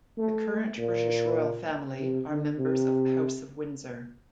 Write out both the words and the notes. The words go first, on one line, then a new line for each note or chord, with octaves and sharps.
The current British royal family are members of the House of Windsor.
A3
A#2
C3
D3
C3